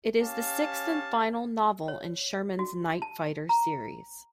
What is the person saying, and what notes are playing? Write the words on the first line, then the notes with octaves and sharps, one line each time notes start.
It is the sixth and final novel in Sherman's Night Fighter Series.
C#4 G4 F5 A5
C#5
F#4
A5
A#5